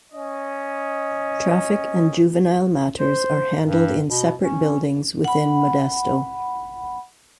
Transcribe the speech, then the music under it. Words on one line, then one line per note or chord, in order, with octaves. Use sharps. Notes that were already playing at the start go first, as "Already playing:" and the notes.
Traffic and Juvenile matters are handled in separate buildings within Modesto.
C#4 D#5
C5
G2
B2
C#4
F#5 B5